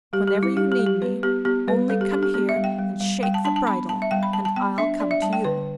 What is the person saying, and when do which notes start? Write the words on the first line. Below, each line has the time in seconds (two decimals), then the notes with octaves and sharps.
Whenever you need me, only come here and shake the bridle, and I'll come to you.'
0.13 G3 G4
0.28 G4
0.35 G3
0.43 E4
0.57 G3 G4
0.72 G4
0.79 G3
0.86 G4
1.02 B3 B4
1.23 B3 G4
1.45 B3 G4
1.68 G3 B4
1.89 G3 A4
2.01 G4
2.12 D4 G4
2.23 G4
2.34 B3 G4
2.49 E5
2.56 G3
2.64 G5
2.78 G3
3.01 G3
3.22 G3 G5
3.34 A5
3.45 D4 A5
3.56 A5
3.67 B3 B5
3.89 G3 A5
4.02 E5
4.11 G3 G5
4.23 B5
4.33 G3 A5
4.45 A5
4.56 B3 G5
4.78 D4 E5
5.00 D4 D5
5.11 E5
5.22 G3 A5
5.33 G5
5.44 D3 B4